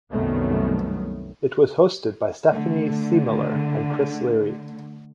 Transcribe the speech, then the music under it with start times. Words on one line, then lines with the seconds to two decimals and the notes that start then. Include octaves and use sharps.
It was hosted by Stephanie Siemiller and Chris Leary.
0.11 C2 F#2 D#3 F#3 A3 B3
2.52 D3 A3